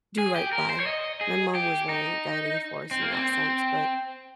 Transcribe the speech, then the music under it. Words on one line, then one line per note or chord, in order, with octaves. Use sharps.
do right by. My mom was my guiding force in that sense, but
G#4
G4
A#4
C5
C#5
D#5
G#4
G4
D#4
C4
A#3
C4